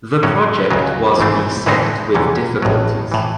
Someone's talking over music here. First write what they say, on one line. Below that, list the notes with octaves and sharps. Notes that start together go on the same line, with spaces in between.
The project was beset with difficulties.
A2 F#3 C#4
C#2 C#3 F#3
G#1 G#2 E3 A3 C4
A2 E3 G#3 C4 D#4
E2 C3 E3 A3 C#4
A1 A2 F#3
A2 E3